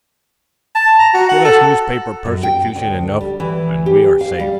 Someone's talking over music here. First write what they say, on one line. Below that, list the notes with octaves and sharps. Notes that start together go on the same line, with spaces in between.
Give us newspaper persecution enough, and we are safe.
A5
A#5
F#4
F#5
A4
F#2
G5
D2
G3
E3
G4
F5
G3